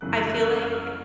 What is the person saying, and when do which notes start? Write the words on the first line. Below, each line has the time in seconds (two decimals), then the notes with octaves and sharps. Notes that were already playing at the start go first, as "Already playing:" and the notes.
I feel like
0.01 G1 F#2 C#3 E3 F#6
0.31 F#6
0.62 F6